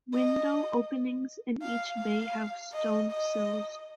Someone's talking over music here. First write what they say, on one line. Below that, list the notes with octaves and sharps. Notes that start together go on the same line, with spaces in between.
Window openings in each bay have stone sills.
D#5
F5
F5
D#5
D#5